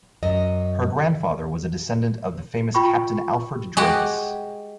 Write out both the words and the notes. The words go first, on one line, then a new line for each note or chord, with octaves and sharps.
Her grandfather was a descendant of the famous Captain Alfred Dreyfus.
F#2 D#5
F4 G5 B5 C#6
G#3 F#4 G4